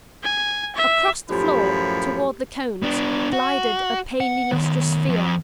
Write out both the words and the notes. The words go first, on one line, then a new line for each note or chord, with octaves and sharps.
Across the floor toward the Cones glided a palely lustrous sphere.
G#5
E5
F#2 A2 F3 G4 B5
B3 D4
F#4
F#5
D#3 B3
F2